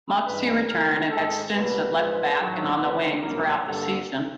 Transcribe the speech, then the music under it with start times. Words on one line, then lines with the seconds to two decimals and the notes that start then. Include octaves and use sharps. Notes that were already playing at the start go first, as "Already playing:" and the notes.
Moxey returned and had stints at left-back and on the wing throughout the season.
0.27 G2 E3 G#3 B4
0.69 C#2 B2 F#3 A3 A#4
1.11 G#2 D#3 G#3 A4
1.54 C#2 B2 G3 A#3 B4
1.96 A#1 G#2 F3 G#3
2.39 A1 G#2 D#3 F#3
2.81 D2 C#3 F3 B4
3.23 C2 B2 F#3 A#3 A#4
3.66 G2 D3 G3 A#3 A4